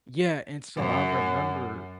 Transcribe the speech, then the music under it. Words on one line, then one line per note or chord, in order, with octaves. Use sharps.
yeah, and so, I remember
F#2